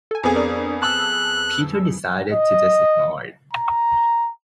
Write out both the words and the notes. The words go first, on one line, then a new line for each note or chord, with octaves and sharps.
Peter decided to just ignore it.
A4 G#5
F2 B3 G#4
D4 A#4 D5
A5 E6 F#6
D#5
A#5